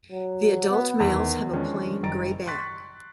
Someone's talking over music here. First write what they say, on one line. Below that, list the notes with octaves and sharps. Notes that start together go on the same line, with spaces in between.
The adult males have a plain grey back.
F#3
B3
E2 D#3
D#3 F3 G#3 C#4 D4
F#1 D#3 G3 A#5 A6 D7
C6 C#6 F#6 A6 B6